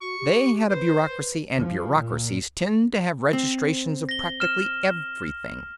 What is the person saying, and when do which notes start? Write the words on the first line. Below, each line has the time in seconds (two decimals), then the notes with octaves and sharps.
They had a bureaucracy, and bureaucracies tend to have registrations of practically everything.
0.01 F#4 C#6
0.20 G4
0.69 B4 C5
1.09 B4
1.55 F3
1.99 A#2
3.33 C4
4.09 A#6 G7
4.40 F6 E7